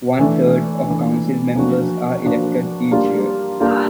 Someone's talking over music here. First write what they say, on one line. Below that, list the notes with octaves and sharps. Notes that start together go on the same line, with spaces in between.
One third of council members are elected each year.
E3 A3 D4
E3 A3 D4
F3 A#3 D4 F#4
F3 A#3 D4 F#4
G3 A#3 D4 F4
G3 A#3 D4 F4